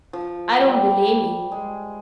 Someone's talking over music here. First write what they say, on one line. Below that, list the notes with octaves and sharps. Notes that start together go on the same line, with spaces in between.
I don't blame you.
F3
G3
G#3